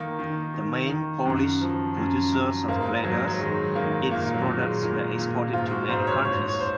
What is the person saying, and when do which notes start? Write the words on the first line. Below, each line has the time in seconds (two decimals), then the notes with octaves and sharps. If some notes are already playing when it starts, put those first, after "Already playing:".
The main Polish producer of gliders, its products were exported to many countries.
Already playing: D#3 A#3
0.19 D#3
0.54 D#3
0.89 D#3
1.26 F#2
1.61 F3
1.97 F#2
2.32 F#2
2.68 G#2 A#3
3.04 G#2 F#3
3.28 F#3
3.40 D#3 G#3
3.75 D#3 A#3
4.11 A#2 A#3
4.34 F#3
4.46 A#2
4.59 G#3
4.83 A#2
5.18 A#2
5.53 G#2 F4
5.71 F#4
5.89 G#2 C5
6.07 C#5
6.25 G#2 C#5
6.48 C#5
6.60 C5